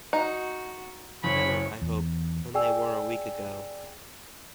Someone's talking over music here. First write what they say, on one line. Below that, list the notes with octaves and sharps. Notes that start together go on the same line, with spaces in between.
Better, I hope, than they were a week ago.
D#4 F#4
F#1 C#5 B5
E2
G#4 D5 G5 G#5 E6